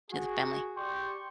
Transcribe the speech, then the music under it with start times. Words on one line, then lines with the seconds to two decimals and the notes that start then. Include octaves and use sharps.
to the family.
0.11 F#4 G#4
0.77 G4 D5 G5 C6 C#6